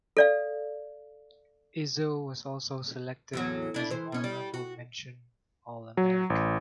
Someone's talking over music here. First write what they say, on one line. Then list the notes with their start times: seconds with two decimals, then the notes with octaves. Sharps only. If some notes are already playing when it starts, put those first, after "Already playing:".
Izzo was also selected as an Honorable Mention All-American.
0.17 A4 D5 F5
3.33 E2 A2 F#3
3.74 D4 E4
3.90 E3 C5
4.12 B2 C#4
4.24 G3
4.54 F#4
5.97 F#3
6.30 A1